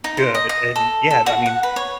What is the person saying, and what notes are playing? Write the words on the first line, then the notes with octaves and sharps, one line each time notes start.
good, and, yeah, that means
D#4
C5
D#5
D#5
A4
A4
F#4
F#5
B4
C#5